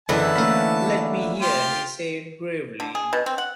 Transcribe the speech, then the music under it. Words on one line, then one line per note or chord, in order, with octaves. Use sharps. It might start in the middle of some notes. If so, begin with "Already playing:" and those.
"Let me hear," he said gravely.
F#1 D3 E3 B4 A5
A3 A#3 C#4 E5 F5 B5
F4 G4 C6
D3
G#4
B2
C4
F#5